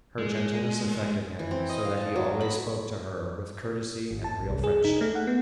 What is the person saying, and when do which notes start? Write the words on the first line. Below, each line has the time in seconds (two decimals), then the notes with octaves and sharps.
Her gentleness affected him so that he always spoke to her with courtesy and real friendship.
0.18 G#3
1.39 E3
1.51 C4
1.69 D#5
1.85 F5
1.97 A5
2.16 F#3
2.41 B5
4.11 G#1
4.24 A5
4.38 A1
4.50 C2
4.64 G#4
4.84 D#4
5.01 A3
5.15 F#5
5.27 B3